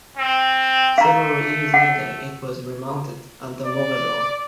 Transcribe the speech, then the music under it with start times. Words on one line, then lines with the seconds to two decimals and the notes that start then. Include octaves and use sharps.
Several years later, it was remounted at the Mogador.
0.17 C4
0.98 A3 F5 A#5
1.74 F#5
3.65 D5